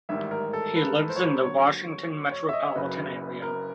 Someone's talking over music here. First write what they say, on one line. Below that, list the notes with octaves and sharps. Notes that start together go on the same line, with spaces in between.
He lives in the Washington metropolitan area.
A1 G#2 D#3 G3 E5
A#4
A4
B4
C5
C#5
C5
D#2 D3 F#3 C#5
C#5
E5
D#5
F#1 F#2 C#3 F#3 B4
A#4